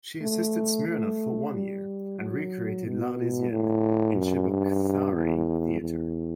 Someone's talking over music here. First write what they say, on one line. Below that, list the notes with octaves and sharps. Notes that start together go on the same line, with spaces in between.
She assisted Smirnov for one year and recreated "L'Arlesienne" in Cheboksary Theatre.
A3
A3
G3
F#3
B2
A2
F#2
G2
E2
E2